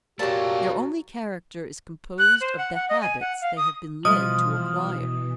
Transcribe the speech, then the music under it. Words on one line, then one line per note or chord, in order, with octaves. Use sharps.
Their only character is composed of the habits they have been led to acquire.
A#2 F#3 A3 F4 G4 A5
F#6
C5
F#5
F#5
D#5
G#5
F#5
F5
D#6
B2 E3 F3 G3 D#6